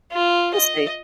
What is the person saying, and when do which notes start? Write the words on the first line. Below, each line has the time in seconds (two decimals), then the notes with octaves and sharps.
we'll see.
0.12 F4
0.54 D#5